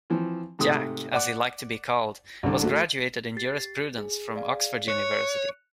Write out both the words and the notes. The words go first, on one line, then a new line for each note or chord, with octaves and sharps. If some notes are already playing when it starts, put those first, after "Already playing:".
Jack, as he liked to be called, was graduated in jurisprudence from Oxford University.
E3 F3 C4
G#2 C3 A3 D#6
D5 F#5 D6
C2 G2 D3
A3 F#4
G4 A6 C7
G#4
G#4 D5 F5
C#5 F#6 C#7